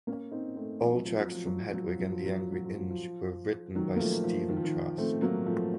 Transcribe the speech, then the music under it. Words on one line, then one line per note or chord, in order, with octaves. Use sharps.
All tracks from "Hedwig and the Angry Inch" were written by Stephen Trask.
A#3 C#4
C4 D#4
A3 C4
F3
F#3
F3
F#3
F3
F#3
F3
F#3
F3
F#3
F3
F#3
F3
F#3
F3
F#3
F3
D#3 F#3
A#3
F3 A3
F3
D#3
F3
D#3
A3 C4
F#3 A#3
F3 A3